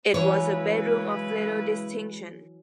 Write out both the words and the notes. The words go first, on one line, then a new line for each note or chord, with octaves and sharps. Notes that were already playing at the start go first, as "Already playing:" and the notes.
It was a bedroom of little distinction.
C#3 E3 F#3 G#3 C#4 E4 B4 C#5